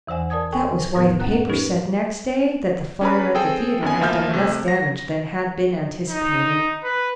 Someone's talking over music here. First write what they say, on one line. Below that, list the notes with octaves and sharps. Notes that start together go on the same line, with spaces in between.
That was why the papers said next day that the fire at the theatre had done less damage than had been anticipated.
E2 E3 C5 F#5 G#5
A#4 D5 A5 D#6 G#6
A4 G5 G#5 C#6
F2 A2 D#3 B3 A#4
F#2 C#4 F#5 A#5 F#6
C#4 D#4 G4 A#4 B4
C#4 D4 G#4 B4 A#5 B5
C4 G#4 A4 G5
F#2 B3 G#5
D2 F3 A#3 E5 F6 G6
C3 A3
A#6
D#4
B4